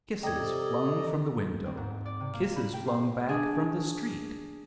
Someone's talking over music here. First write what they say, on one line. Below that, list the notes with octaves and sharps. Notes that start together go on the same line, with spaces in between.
Kisses flung from the window; kisses flung back from the street.
C3 A4 D5 D#5 G5 A#5 G#6
C4
G#2
D5
C3
A#3
B5
G5
C5
D4 G#4